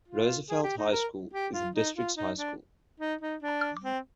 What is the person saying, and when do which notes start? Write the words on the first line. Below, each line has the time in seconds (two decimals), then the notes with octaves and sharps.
Roosevelt High School is the district's high school.
0.08 F4
0.50 G#4
0.64 G4
0.78 D#4
0.92 A#4
1.33 G4
1.54 F4
1.75 D#4
1.96 F4
2.17 D#4
2.38 D4
3.00 D#4
3.21 D#4
3.42 D4
3.84 C4